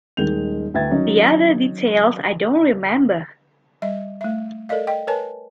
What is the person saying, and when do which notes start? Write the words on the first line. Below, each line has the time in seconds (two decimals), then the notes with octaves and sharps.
The other details I don't remember.
0.17 D#1 D#3 G#3 G6 F7
0.74 D2 B4 E5 G5 G#6 A6
0.90 D#3 F#3 C#4 D#4
3.82 G3 D#5 E5
4.21 A3 E5
4.69 A4 A#4 D5 D#5 F5
4.87 D#5 G5
5.07 A#4 B4 C#5 G#5 A5